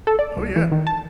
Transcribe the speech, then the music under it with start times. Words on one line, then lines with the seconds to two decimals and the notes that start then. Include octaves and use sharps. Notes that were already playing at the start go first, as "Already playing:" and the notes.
Oh, yeah.
0.07 A4
0.19 D5
0.37 C2
0.56 E3
0.72 D#3
0.87 A5